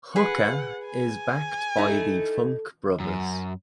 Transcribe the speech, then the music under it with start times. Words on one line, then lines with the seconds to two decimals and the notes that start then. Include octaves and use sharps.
Hooker is backed by the Funk Brothers.
0.16 G#4 B4 F#5
0.86 G#5
1.77 A3 D#4 E4
3.00 F#2